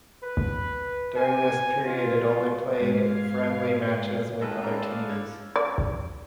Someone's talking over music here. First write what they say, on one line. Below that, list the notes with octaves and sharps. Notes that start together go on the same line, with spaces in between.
During this period it only played friendly matches with other teams.
B4
G#5
F4
G#2 G#3 F5 G#6 C7
D#3 G#3 F4 F#4 A4 B4 E5
C#4 D5 D#5 F5 A#5 E6
D3 E4 C#5
D5